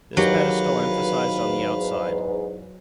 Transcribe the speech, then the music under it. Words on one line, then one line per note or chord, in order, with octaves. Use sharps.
This pedestal emphasized on the outside.
E2 G#2 D#3 F#3 G4 B4 F5